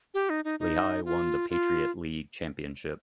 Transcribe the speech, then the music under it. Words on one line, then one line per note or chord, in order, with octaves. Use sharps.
Lehigh won the Patriot League championship.
G4
D#4
D#4
D#4
F4
F4